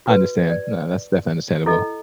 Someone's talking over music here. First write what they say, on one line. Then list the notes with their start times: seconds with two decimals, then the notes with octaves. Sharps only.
I understand. No, that's definitely understandable.
0.06 F#4 B4
0.50 D5
1.66 E4 A4 D#5